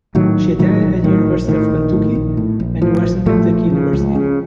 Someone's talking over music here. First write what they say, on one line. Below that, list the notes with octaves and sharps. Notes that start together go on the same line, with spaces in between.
She attended the University of Kentucky and Western Kentucky University.
A2 D#3 F#3
A#1
A2 D#3 F#3
A#1
A2 D#3
A#1
A2 D#3
A#1
A2
A#1
A2
A#1
A2 F3
A#1
A2 F3 A3
A#1
C#3
C#2
C#3